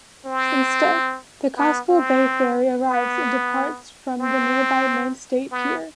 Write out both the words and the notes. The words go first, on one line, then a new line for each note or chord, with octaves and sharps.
Instead, the Casco Bay Ferry arrives and departs from the nearby Maine State Pier.
C4
B3
C4
B3
C4
B3